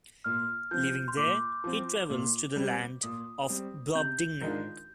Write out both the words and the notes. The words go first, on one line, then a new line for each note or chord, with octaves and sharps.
Leaving there, he travels to the land of Brobdingnag.
A#2 F6
F3 C4 G6
C6
A#2 D6
F3 C4
A#2
G3 C4
A#2 D#6
G3 C4
C3 G6
D#3 G#3 D4 F4